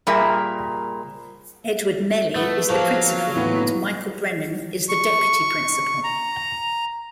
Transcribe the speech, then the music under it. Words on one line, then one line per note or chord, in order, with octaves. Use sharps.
Edward Melly is the principal and Michael Brennan is the Deputy Principal.
A#2 G3 G#4 A#4 E5
A3 B3
F3 F#3 A#3 F5
A2 E3 B3
C#6
A#5